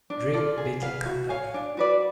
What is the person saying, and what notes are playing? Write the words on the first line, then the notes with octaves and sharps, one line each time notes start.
Drake Baking Company.
D4
F4 A4 D5
G#4
B4 F5
F#4
C#5 F5 G#5
D4
F#4 B4 D5